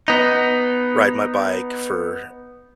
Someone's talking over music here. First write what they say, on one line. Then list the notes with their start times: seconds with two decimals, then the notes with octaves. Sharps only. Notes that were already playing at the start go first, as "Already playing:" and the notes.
ride my bike for
0.08 B3 D#4